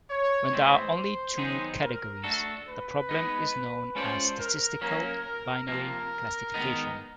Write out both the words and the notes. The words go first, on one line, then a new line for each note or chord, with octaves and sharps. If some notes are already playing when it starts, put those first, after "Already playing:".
When there are only two categories the problem is known as statistical binary classification.
C#5
A2 E3 G#3 C4 E4 C5
D#3 F#3 B3 D#4 G#4
A#4
A3 D4 F#4 A4
B4
G#3 B3 D#4
G#3 C#4 F4 A4 C5 D5
A#4
F#3 A#3 C#4 A#4
C3 F3 A#3 A#4
D#3 G#3 B3 D#4